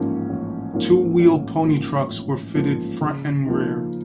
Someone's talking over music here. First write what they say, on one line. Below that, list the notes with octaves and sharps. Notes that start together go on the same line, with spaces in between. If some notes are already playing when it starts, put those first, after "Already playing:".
Two-wheel pony trucks were fitted front and rear.
Already playing: A1 G#2 F3 A#3 C#4
A1
G#2 F3 A#3 C#4
A1
G#2 F3 A#3 C#4
A1
G#2 F3 A#3 C#4
C#3
F3 A#3 D#4